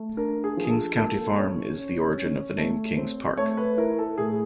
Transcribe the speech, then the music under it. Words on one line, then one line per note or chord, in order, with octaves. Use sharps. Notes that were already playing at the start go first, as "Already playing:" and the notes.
Kings County Farm is the origin of the name Kings Park.
Already playing: A3
D4 A#4
G#4
F3
G#4
A4
A#3 A4
C#4 C#5
C#4
C#4
A3
C4
A3 C#5
B4
E4 A#4
A4
A2 G#4